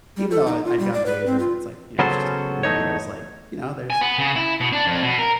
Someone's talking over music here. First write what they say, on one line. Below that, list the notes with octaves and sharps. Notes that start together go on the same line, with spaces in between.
even though I I'd gotten to the age where it's like, you know, it's just a movie, I was like you know, there's
G3
A4
D#4
F4
G3
D5
B4
C4
F4
C#3 F#3 B3 C#4 A4 C5
E2 A3 D#4 C#5
G#5
B3
C#3
E4
B2
D4
F2
B2
A#4